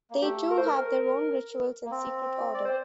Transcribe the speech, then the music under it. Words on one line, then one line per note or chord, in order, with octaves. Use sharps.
They too have their own rituals and secret order.
A#3
A3 G4
A#4
C5
A#4
A#4
A#3
C4
D5
C5